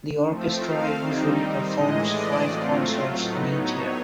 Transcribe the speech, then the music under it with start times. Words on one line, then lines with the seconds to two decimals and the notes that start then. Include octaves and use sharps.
The orchestra usually performs five concerts in each year.
0.24 F3 A3 C4
0.60 F5
0.97 D#3 G3 C4 D#4
1.69 A2 E3 G#3 D#5
2.07 D5
2.43 F#3 A3 C4 F4
3.15 A2 F#3 B3 D#4
3.52 C#5